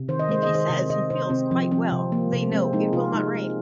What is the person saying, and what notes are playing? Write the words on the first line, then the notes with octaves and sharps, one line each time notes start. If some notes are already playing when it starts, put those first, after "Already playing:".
If he says he feels quite well, they know it will not rain.
Already playing: C3
D#3 C5
D#5
G#3 C5
D#5
D#3
C5
C3
C3 D#5
C3 C5
C3 C4
F3 C4
F3 C4
C3
F3 A#3
C3
G#3 C4
G#3 D#4
C3 F4
G#3 D#4
G#3